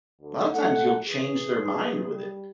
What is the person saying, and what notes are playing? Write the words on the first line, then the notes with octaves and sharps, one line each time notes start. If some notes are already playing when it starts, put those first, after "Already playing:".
lotta times you'll change their mind with it.
D2
A3 F#5
E3 G#4
G3